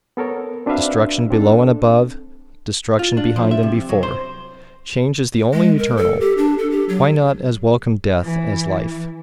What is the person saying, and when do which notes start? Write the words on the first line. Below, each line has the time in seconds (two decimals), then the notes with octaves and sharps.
Destruction below and above, destruction behind and before. Change is the only Eternal,--why not as welcome Death as Life?
0.17 B3 A4 A#4 C#5
0.66 C4 D4 F#4 B4 E5 F5
1.31 C4 D4 A4
2.99 F4
3.17 D4
3.36 F3
3.51 E5
3.63 C3
3.89 F#3
4.03 C5
5.53 G#3
5.78 A#4
5.97 A4
6.20 G4
6.38 D4
6.58 A4
6.71 G4
6.89 F#3
8.23 E3